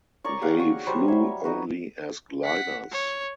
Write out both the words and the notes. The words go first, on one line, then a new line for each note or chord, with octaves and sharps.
They flew only as gliders.
A#4 C#5 D5 C#6
G4 G#4 F5 F#5
F#4 C#6
F#3 G3 C5 C#6
C#5 E5
D#4 F#4 B4
F#5 B6
C#5